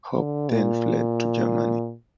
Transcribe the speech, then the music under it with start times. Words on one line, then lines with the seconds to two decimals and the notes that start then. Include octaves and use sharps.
Hopp then fled to Germany.
0.16 D3
0.51 A#2